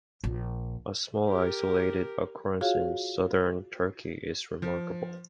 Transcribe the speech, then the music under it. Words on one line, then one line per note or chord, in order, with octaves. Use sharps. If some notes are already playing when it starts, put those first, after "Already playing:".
A small, isolated occurrence in southern Turkey is remarkable.
A#1
G4 A#4
F4 F#4 G#4 C#5 F5
F3